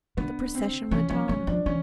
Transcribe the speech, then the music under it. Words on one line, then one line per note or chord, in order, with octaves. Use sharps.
The procession went on.
D3 B3
C4
E3 C#4
F3 C#4
F#3 C#4
F3 D4
E3 C#4